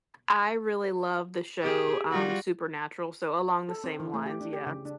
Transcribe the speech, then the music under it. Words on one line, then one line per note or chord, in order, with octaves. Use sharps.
I really love the show, um, Supernatural, so along the same lines, yeah, s
G4 G#4
G3 F4 F#4
A4
C4
E3
A3
G4
D4
G4
C#3
D4